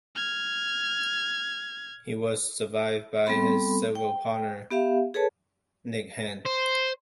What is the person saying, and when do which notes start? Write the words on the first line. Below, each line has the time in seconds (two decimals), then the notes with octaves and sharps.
He was survived by his civil partner Nick Hand.
0.16 F6 G#6
3.26 G3 B3 C4 A4 B5 C6
3.95 G5
4.70 B3 G4 E5 F5
5.14 G#4 A4 B4 C#5 A5
6.46 C5